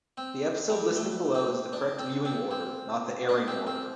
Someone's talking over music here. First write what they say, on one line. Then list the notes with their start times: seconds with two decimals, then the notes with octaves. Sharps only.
The episode listing below is the correct viewing order, not the airing order.
0.18 C4
0.70 G3
0.96 A3
1.35 C4
1.73 D4
1.99 C4
2.25 C4
2.51 C4
3.29 D4
3.48 C4
3.67 C4